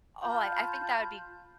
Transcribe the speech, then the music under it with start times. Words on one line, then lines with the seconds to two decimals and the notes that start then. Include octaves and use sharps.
Oh, I I think that would be
0.22 F4 A5 B5 G6